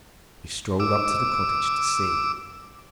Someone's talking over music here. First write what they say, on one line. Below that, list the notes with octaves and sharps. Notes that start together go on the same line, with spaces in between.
He strolled up to the cottage to see.
D6 E6